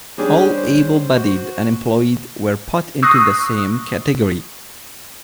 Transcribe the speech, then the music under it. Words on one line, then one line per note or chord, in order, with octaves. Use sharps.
All able-bodied unemployed were put into the same category.
G3 C#4 D4 G#4
C5
F#4
C#6 D#6 E6 F#6 A#6 C7